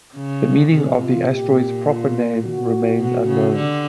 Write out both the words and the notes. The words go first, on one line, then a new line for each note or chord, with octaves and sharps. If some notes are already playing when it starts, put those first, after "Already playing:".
The meaning of the asteroid's proper name remains unknown.
C#3
C3 G#4
F4
A#2 G4
F4
F#4
B2 F#4
C#3
D3 G4